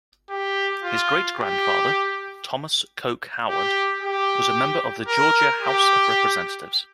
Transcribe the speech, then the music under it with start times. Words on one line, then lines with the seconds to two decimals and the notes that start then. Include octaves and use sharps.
His great-grandfather, Thomas Coke Howard, was a member of the Georgia House of Representatives.
0.30 G4
0.83 F4
1.37 G4
3.49 G4
4.02 G4
5.08 A#4
5.61 G4